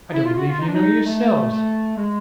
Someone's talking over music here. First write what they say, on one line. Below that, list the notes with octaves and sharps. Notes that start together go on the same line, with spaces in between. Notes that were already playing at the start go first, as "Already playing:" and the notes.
I don't believe you know yourselves.
D#4
E4
F4
F#4
F4
D#4
D4
D#4
A3
A3
G#3